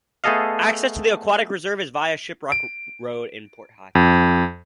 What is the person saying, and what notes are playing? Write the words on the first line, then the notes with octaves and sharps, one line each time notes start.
Access to the aquatic reserve is via Shiprock Road in Port Hacking.
A3 B3 G#4 A4 D#5 F5
D7
F2